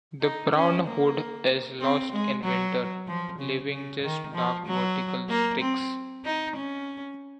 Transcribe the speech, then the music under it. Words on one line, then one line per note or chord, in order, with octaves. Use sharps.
The brown hood is lost in winter, leaving just dark vertical streaks.
D#4
C#4
A#3
C4
G#3
F#3
F3
C#3
C#3
D#3
F3
F#3
A#3
C4
D#4
C#4